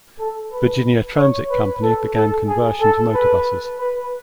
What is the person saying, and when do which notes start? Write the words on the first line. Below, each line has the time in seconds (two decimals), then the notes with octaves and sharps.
Virginia Transit Company began conversion to motor buses.
0.19 A4
0.52 B4
1.17 C#5
1.50 B4
1.83 A4
2.15 A4
2.48 G#4
2.81 A4
3.14 B4
3.79 B4